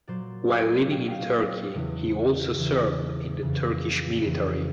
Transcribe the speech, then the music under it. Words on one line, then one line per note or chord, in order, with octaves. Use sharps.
While living in Turkey he also served in the Turkish Military.
A#2 F#3 C5 D5
C#5 D#5
A#2 F#3 G5
F#5
F5 G5
E2 C#3 E3
E2 C#3 E3
F2 C#3 E3
F2 C#3 E3